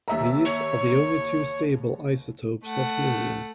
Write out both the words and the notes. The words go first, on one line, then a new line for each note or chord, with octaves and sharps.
These are the only two stable isotopes of helium.
D#2 E5 A#5
C#5
A3 F#5